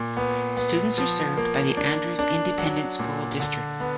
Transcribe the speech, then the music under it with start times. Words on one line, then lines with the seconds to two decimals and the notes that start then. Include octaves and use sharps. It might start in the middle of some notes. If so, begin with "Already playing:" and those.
Students are served by the Andrews Independent School District.
Already playing: A#2
0.17 B3
0.57 B3
0.98 F3
1.37 A#3
1.77 D4
2.19 D4
2.58 F#3
2.99 A#2
3.40 D3
3.80 B3